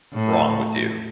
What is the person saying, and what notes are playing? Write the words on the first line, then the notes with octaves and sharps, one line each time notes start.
wrong with you,
A2